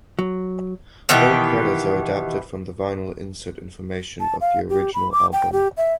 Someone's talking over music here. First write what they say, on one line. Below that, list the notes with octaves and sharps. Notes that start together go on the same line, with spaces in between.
All credits are adapted from the vinyl insert information of the original album.
F#3
B2 D#3 E3 G4
A5
F5
G4
B5
D6
G5
G4
E5